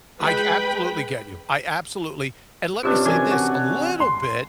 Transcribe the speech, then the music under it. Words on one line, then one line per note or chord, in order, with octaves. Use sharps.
I ge I absolutely get you I absolutely and let me say this a little bit
G#3 B4 G5 B5
C3 C#4 D4 F4 G4 B4
E3 A#4 G#5
F#4
C6